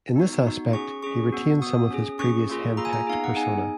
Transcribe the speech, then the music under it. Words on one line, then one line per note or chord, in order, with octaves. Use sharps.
In this aspect, he retains some of his previous hen-pecked persona.
B3 D#4 F#4
B3 D#4 F#4
C#4 G#4 C#6
C#4 G#4 C#6
B3 F#4
B3 F#4 D#6
C#4 G#4
C#4 G#4 C#6
A#3 F4 G#4
A#3 F4 G#4 A#5
G#5
A#5
B3 D#4 G#4 F5
F#5
B3 D#4 G#4 G#5